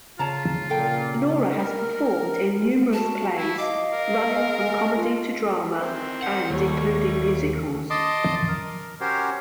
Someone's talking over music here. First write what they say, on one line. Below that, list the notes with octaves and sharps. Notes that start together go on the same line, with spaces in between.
Laura has performed in numerous plays, running from comedy to drama, and including musicals.
C#3 F4 C#5 A5 A#5
A#2 A4 G5
A#4
F#4 A5
E4
D#5 F5 D6
A#4
G#3
F4
D#3 C4
F#5
D#2 G3 A3 C#5
D#5 A5 C6 D6 D#6
A#4
C#4 F#4 G4 A#4 C5 C#5